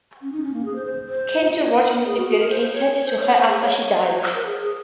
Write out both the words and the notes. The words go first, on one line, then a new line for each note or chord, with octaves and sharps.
Keith wrote music dedicated to her after she died.
C#4
D#4
C#4
A#3
G#4
C5
C5
C5
F4
D#4
C#5
A#4
G#4
F#4
G#4
A#4
C5
C5
C#5
C5
C#5
C5
G#4
C#5
C5
C#5
C5
A#4
G#4
G#4